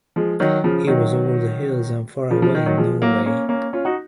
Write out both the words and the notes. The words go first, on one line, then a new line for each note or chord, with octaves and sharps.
He was over the hills and far away in Norway.
F3 G#3
D#3 F#3
C#3 F3
D#3 F#3
C#3 F3
C#3 F3
D#3
D#3 F#3
F3 G#3
F#3 A#3
A#3 C#4
A#3 C#4
C#4 F4
D#4 F#4